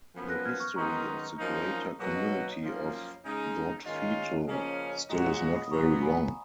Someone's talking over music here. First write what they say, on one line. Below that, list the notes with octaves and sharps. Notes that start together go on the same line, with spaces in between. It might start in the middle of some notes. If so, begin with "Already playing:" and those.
The history of the greater community of Dautphetal still is not very long.
F#2 F3 B3
F#6 A#6
F6 G#6
C#6 F6
F#2 D#3 G#3 B3 D#4 A#5 C#6
F#2 F3 A#3 D#4
B2 F#3 A#3 D#4 F#4
D#5
C#5
C#5
F#2 F3 A#3
C#3 G#3 D#4
G#2 D#3 A#3 C#4 F4 D#5
D#5
C#5
C#3 F3 A#3 C#4
A#2 G#3 D#4 F#4 D#5
F#5
C#5 F5
B5 D#6
D#6
A#2 F#3 B3 A#5 C#6
G#5 B5